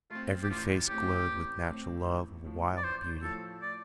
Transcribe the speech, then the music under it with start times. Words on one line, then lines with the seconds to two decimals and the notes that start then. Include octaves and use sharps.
Every face glowed with natural love of wild beauty.
0.10 A3 C4 F4
0.43 G4
0.50 A1 F4
0.89 A2 A3 C4 G4
1.28 A1
1.67 A2 A3 C4
2.06 A1
2.44 A2 F3
2.77 D5
2.84 A1 C5
3.22 A2 F3 A4
3.62 D5